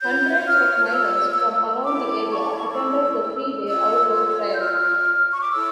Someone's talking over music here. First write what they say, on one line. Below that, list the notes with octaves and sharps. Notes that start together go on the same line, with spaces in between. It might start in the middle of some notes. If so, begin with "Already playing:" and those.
Hundreds of miners from around the area attended the three-day outdoor trial.
F4 C#5 G6
F6
E6
E4 A4 C#5 D6
C#6
E6
F4 C#5 E6
E6
G6
F6
C#6
D6
E4 A4 C#5 E6